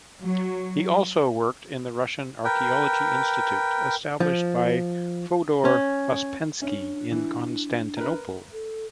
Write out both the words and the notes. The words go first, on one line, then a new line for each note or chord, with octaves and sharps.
He also worked in the Russian Archaeology Institute, established by Fyodor Uspensky in Constantinople.
F#3
A#4 B4 G5
F3
C#4
C#4 D4
E3
A#4 B4
A4